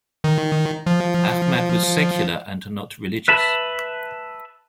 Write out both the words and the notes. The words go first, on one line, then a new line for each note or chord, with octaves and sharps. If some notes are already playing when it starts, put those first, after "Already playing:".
Ahmad was secular and not religious.
D#3
F3
B4 E5 A5 B5